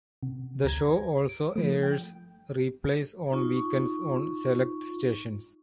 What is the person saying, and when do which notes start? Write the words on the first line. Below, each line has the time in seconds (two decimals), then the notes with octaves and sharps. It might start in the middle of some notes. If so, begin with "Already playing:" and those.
The show also airs replays on weekends on select Stations.
0.23 C3
0.64 D2 A#5 G#6
1.29 D7
1.56 F3 A3
1.83 G5
3.33 D#4 F4 C#6